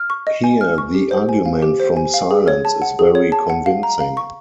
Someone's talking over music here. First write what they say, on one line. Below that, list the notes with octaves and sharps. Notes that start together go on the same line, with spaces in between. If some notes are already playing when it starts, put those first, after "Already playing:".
Here the argument from silence is very convincing.
Already playing: F6
C#6
D#5
G#5
F6
C#6
G4
C5
G#5
F5
G4
C5
G#5
F5
G#4
C#5
A5
F#5
G#4
C#5
A5
F#5
F5
A#5
F5
C#6